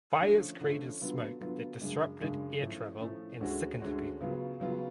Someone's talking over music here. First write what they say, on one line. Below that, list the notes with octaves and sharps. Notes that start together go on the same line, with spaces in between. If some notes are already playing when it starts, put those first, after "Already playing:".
Fires created smoke that disrupted air travel and sickened people.
D3 F3 A3 C#4
D3 F3 A3 C#4
D3 F#3 B3 F4
D3 F#3 B3 F4
F#2 C#3 G#3 D4
F#2 C#3 G#3 D4
A2 F3 A3 C#4
A2 F3 A3 C#4
D2 D3 G#3 C#4 F#4
D2 D3 G#3 C#4 F#4
C#3 F#3 B3 F4
C#3 F#3 B3 F4